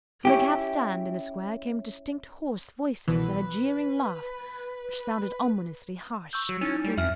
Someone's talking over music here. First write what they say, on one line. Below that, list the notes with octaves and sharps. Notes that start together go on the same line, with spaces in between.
From the cab-stand in the square came distinct hoarse voices and a jeering laugh which sounded ominously harsh and cruel.
C#4 E4 G4
C2 B2 E3 B4
C#6 E6 G6
F#3
C#4 D#4 E4 A6
G3
F2 E5 F6